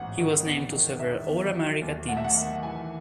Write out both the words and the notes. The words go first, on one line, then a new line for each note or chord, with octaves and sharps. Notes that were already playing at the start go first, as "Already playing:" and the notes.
He was named to several All-America teams.
Already playing: A1 G#2 F#5
D#3
E2
D#3
E1 E5
E2
F#3
D#2
A3 F#5
E5
F#5
D#3
E3 G#5